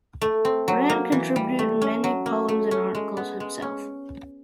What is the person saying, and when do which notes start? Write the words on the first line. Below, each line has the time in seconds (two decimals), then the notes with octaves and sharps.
Brand contributed many poems and articles himself.
0.21 A3
0.45 C4
0.68 F#3
0.90 A#3
1.12 E3
1.36 G3
1.59 A3
1.82 C#4
2.04 F#3
2.26 A#3
2.49 A3
2.71 C#4
2.95 G#3
3.17 B3
3.40 G#3
3.62 C#4